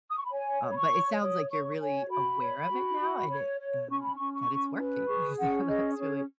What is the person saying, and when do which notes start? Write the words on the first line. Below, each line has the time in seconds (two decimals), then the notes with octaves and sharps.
um, but it sounds like you're really aware of it now and it, uh that it's working, so, that's really
0.10 D#6
0.17 C#6
0.25 B5
0.32 C#5 G#5
0.62 C#5
0.71 B5
0.77 C#6
0.92 C#5
1.21 C#5 D#6
1.51 C#5 C#6
1.81 C#5 G#5
2.10 F#4 B5
2.40 C#5
2.71 F#4
3.00 F#4
3.29 C#5
3.59 C#5
3.89 C#4 C#6
4.02 B5
4.14 C#6
4.19 C#4
4.33 C#6
4.49 C#4
4.78 B4
5.08 G#4 C#6
5.38 C#4 F#5
5.68 G#4 D#5
5.98 C#4 C#5